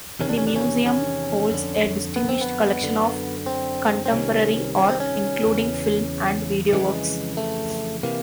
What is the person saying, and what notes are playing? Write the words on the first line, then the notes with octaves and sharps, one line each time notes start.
The museum holds a distinguished collection of contemporary art, including film and video works.
E2 C3 D#3 C#4
D4
C#4
D4
C#4
C#4
F2 D3
B3
C4
B3
F#2 D3
C4
C4
C2 C3 D#3 C#4
C#4
C4
C#4
E2 C#3 E3
F2 C#3 E3 G#3
A3
C3 E3 A#3